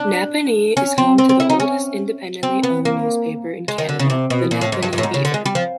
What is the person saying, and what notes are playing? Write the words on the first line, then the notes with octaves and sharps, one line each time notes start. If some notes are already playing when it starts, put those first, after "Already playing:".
Napanee is home to the oldest independently owned newspaper in Canada, "The Napanee Beaver".
Already playing: D4
C#4
C4
C4
C4
E4
D#4
C#4
C4
B3
A#3
G#3
D#3
D3
C#3
C3
B2
A#2
A2
G#2
G2
G2
A2
G#2
C#3
D3
G#3
G3
F3